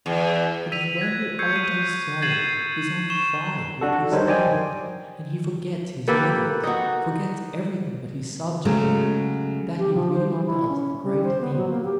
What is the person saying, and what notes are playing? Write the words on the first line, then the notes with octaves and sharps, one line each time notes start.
It is when the orator's soul is on fire with his theme, and he forgets his audience, forgets everything but his subject, that he really does a great thing.
E2
E6 B6 D#7 F7
F#6 G#6 A#6 B6
C#6 E6 G6 G#6 C7 C#7
G6 C7 D#7
G#6 A6 C7 D#7 E7 F#7
C#6 E7 G7
D4 F#4 A4
G3 D4 D#4 A#4 C5 C#5
C5 D5 D#5 G5 G#5
A#3 G4 A4 B4
D#4 F#4
C#3 F#3 G#3 A3
G4
F3
C5
E3
E4
C#4
G3
C5
B3
F#3
A#3
G4